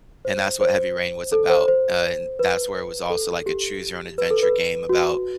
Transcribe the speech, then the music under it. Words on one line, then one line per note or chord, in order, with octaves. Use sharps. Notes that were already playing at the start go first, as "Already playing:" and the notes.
and that's what Heavy Rain was about, uh, and that's where it was also, like, a choose your own adventure game about
C5
C5
A4
C5
C5
B4
A4
G4
B4
A4
B4
F#4